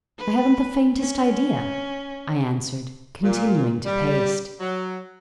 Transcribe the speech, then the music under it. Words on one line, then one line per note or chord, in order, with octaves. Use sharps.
'I haven't the faintest idea,' I answered, continuing to paste.
B4
C#4
A#2
G3
F#3